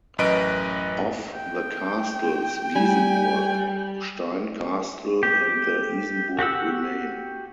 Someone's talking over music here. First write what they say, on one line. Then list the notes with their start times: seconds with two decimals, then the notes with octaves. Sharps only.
Of the castles, Wiesenburg, Stein Castle and the Isenburg remain.
0.18 A1 F#2 B4 D#5 D7
1.35 G5
2.76 G3 G#5
5.23 G4
6.39 F#4 G4 F#5 E6